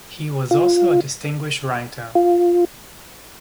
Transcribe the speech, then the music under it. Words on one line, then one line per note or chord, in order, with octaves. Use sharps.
He was also a distinguished writer.
F4
F4